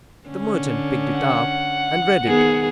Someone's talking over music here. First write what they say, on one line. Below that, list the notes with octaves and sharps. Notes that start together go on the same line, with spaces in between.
The merchant picked it up and read it.
D3 C#4
F#5
D#3 B3 G#4